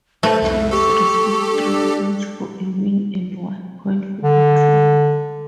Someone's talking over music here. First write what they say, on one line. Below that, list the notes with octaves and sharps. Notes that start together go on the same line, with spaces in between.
Teams receive three points for a win and one point for a draw.
A3 B4 C5
C2 F2 E5
G4 A4 C#6
D4
D3